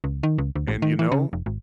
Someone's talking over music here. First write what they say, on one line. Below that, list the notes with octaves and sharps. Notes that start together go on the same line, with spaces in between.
and, you know,
C#2
D#3
C#2
D2
A1
D#3
E3
C#3
F1
G#1